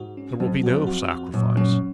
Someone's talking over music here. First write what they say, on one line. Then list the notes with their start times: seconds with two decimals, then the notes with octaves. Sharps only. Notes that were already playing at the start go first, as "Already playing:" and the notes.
There will be no sacrifice.
Already playing: G#2 F#4
0.17 C#4
0.40 F2 F#3
0.63 F2 F#4
0.87 F#4
1.11 F#4
1.34 F#2 A#2
1.57 F#2 C#4